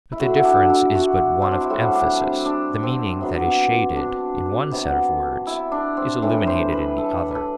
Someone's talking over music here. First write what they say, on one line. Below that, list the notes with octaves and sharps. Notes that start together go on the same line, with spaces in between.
But the difference is but one of emphasis; the meaning that is shaded in one set of words is illuminated in the other.
E4
D3 F#3 A3 F#4
E4
D4
E4
F#4
C4
D4
E4
A2 G3 C4 F#4
D4
C4
D4
C4
C3 F#3 B3
D4
C3 F#3 B3
E4
D4
C4
A2 E3 G3 D4
C5
B4
A4
A4 B4